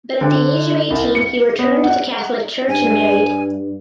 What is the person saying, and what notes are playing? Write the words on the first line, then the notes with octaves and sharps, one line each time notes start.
But at the age of eighteen he returned to the Catholic Church and married.
D3
C2
C#7
B3
F#5
G2 G#5